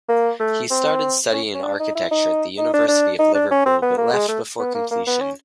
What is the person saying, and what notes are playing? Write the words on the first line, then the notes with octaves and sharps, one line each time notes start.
He started studying architecture at the University of Liverpool but left before completion.
A#3
A3
C4
C#4
C#4
D4
D#4
E4
D#4
D#4
D4
D4
D#4
D4
C#4
C4
B3
A#3
G#3
A3
B3
A#3
A#3
B3
C#4